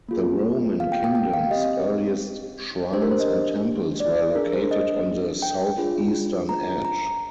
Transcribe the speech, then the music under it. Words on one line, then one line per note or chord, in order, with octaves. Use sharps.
The Roman Kingdom's earliest shrines and temples were located on the southeastern edge.
A#3 F4 G#4
F5
G5
G5
G5
F5
C4 G4 D#5
D4 G4 C5
A#4
C5
D#5
D5
D4 G#4 A#4
C5
D#5
G5
D4 F4 G#4
A#5
A#5